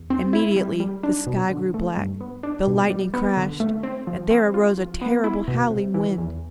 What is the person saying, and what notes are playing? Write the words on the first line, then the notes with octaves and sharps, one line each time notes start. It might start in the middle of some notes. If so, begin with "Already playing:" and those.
Immediately the sky grew black, the lightning crashed, and there arose a terrible, howling wind.
Already playing: E2
C4
E4
G3
G3
D4
B2
D3
A3
G2
B3
D4
B2
G3
B3
D3
A3
C4
F3
C4
F4
F3
B3
E4
B2
C3
E3
E2